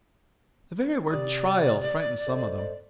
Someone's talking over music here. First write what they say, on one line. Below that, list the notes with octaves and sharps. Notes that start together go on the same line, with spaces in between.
The very word 'trial' frightens some of them.
C3 G4 D5 D#6
A4 C5 D#5